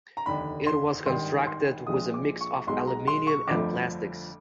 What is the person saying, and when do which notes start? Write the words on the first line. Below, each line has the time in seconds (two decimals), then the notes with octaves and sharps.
It was constructed with a mix of aluminium and plastics.
0.17 A#5
0.26 F1 D#2 D3 B5
0.67 C6
1.06 G#1 G2 D#3 C6
1.47 C6
1.87 A#1 A#2 F3 G#3 D#6
2.14 D6
2.41 C#6
2.67 B1 B2 G#3 C6
2.87 A#5
3.08 C6
3.27 C#6
3.48 G1 F2 D3 F3 A3 D6